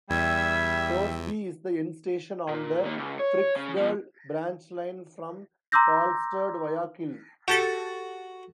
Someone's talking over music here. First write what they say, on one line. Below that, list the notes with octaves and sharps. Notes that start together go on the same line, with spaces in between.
Torsby is the end station on the Fryksdal branchline from Karlstad via Kil.
E2 G3 E5 G#6
A#2
D#3 A#3
C#2
C#5
C#3
B2 F3
A#5 C6 D6 E6 G6 A#6
F#4 G4 A4 A6